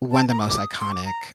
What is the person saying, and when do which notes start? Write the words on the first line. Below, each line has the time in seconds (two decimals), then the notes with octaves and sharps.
one of the most iconic,
0.11 A5
0.30 A#5
0.39 D6
0.49 D6
0.58 D#6
0.80 C6
0.92 D6
1.06 A#5